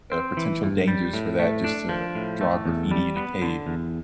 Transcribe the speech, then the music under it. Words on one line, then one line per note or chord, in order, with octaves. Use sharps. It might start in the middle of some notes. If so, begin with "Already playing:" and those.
uh, potential dangers for that, just to draw graffiti in a cave.
C4
E3
G2
G3
A2
A3
D4
F3
A2
A3
E2
G3
B3
D3
E2